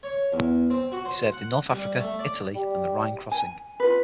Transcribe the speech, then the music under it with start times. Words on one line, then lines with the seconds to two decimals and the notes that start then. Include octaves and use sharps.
He served in North Africa, Italy and the Rhine Crossing.
0.03 C#5
0.33 E2
0.70 C4
0.92 F#4
1.05 C5
1.32 F#5
1.70 G3
1.99 A3
2.19 D5
2.55 G3
3.31 G#5
3.80 F4 B4